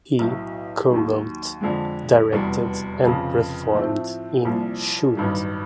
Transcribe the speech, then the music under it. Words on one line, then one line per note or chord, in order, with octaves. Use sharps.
He co-wrote, directed and performed in "Shoot".
B1 A2 F#3
D#2 D#3 F#3
F2 D3 F3 G#3
F1 E2 B2 G3
F1 F2 C#3
A2 F3 A3 C4
C2 A#2 F3
A1 G2 D#3 F#3